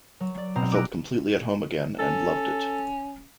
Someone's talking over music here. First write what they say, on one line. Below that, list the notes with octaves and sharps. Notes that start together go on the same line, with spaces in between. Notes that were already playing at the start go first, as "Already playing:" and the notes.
I felt completely at home again and loved it.
F#3
D5
B2 C4 A#5
D6 E6 F#6 A#6 D7
C#4 A4